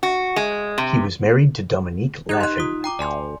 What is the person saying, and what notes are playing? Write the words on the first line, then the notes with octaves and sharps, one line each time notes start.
He was married to Dominique Laffin.
F#4
G#3
C3
D#4 G4 F#6 G#6
C6 F#6
F4 D#6
G5 A#5 D6
D2 D5 G#5 C6